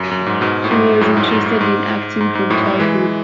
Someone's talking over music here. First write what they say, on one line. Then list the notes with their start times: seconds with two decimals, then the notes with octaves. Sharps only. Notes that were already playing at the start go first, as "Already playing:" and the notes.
She was interested in acting from childhood.
Already playing: F#2
0.11 F#2
0.26 G#2
0.41 G#2 B2
0.64 A2
0.71 G#2
1.01 F#2 A2
1.17 G#2
1.31 G#2
1.46 G#2
1.61 G#2
2.20 G#2
2.35 G#2
2.50 F#2 A2
2.80 E3 G#3